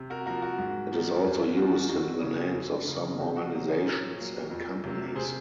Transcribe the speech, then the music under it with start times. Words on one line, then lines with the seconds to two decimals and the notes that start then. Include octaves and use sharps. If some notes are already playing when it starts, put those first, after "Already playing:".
It is also used in the names of some organisations and companies.
Already playing: C3
0.10 F#4 A#4
0.26 A#3 F#4 A#4
0.29 F3
0.42 F#4
0.59 G#2 F#4
0.92 F3 A#3
1.25 F#2
1.56 F3 A#3 F#4
1.89 F2 F#4
2.22 C#3 F#3
2.54 F#2
2.87 C#3 F#3 A#3
3.19 C3 F#4
3.36 F#4
3.52 F#3 A#3 F#4
3.69 G#4 C5
3.85 A#2 A#4 C#5
4.18 F#3 A#3
4.50 F2
4.84 C3 F#3 A#3
5.15 C3 G#4 C5